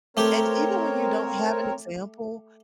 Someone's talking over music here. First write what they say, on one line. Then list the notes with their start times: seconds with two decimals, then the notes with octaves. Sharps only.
And even when you don't have an example
0.17 A3 C4 G4 A#4 C#5